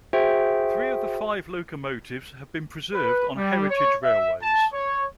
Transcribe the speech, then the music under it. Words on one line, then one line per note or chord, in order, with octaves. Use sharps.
Three of the five locomotives have been preserved on heritage railways.
F#4 G#4 C5 E5 G5
B4
G3
C#5
E5
A5
C#5